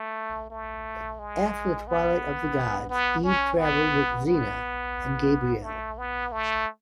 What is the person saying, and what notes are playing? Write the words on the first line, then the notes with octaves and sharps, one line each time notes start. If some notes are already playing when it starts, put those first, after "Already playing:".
After the Twilight of the Gods, Eve travelled with Xena and Gabrielle.
Already playing: A3
A3
G#3
B3
B3
C#4
B3
B3
A3
B3
A3